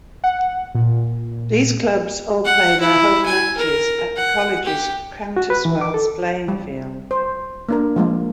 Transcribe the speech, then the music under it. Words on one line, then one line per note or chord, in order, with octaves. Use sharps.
These clubs all play their home matches at the College's Countesswells Playing Field.
F#5
A#2
F#5
E4
G#5
A#4
F#5
G4
F#4
B4
E3
D6
A4
G3
C5
A#3 D4 A#4
F3 G#3 A#3